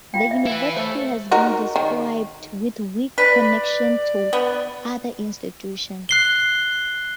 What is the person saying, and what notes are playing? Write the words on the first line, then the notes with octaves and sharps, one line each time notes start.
The university has been described with weak connection to other institutions.
F4 F5 G5
E5
E4 B4
A3 C5 E5
D#4 F#4 A#4
D#3
B4 D5
B3
F#6 C7 G7